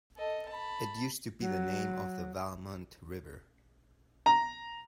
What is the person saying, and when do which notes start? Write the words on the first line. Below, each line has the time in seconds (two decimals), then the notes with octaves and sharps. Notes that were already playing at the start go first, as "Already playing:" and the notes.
It used to be the name of the Valmont River.
0.17 A4 D#5
0.49 A5 B5
1.41 F#3
4.26 A#5